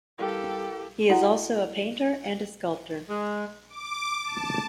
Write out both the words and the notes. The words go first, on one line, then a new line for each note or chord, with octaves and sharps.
He is also a painter and sculptor.
G3 E4 G4 A4 A#4 F5 G5
E4 F#4 A4 F#5 A#5
G#3
D6
A5